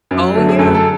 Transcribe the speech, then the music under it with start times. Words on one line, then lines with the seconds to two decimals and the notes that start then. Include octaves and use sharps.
Oh, yeah.
0.11 F#2
0.34 D3 F#3 A3
0.49 G#4
0.59 F#2 A4
0.75 A4